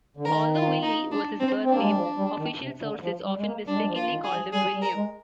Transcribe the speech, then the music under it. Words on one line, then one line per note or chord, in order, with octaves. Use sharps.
Although Willie was his birth name, official sources often mistakenly called him William.
D3
D#3 A#4
F4
D#4
D4
C4
C4
D4
A#3
G#3
G3
F3
G3
D#3
C3
D3
F3
G3
G#3
A#3
G3 D4
G#3
G3
F3
F4
D#3
G#4
F3
G3 G#4
G3
A#4
G#3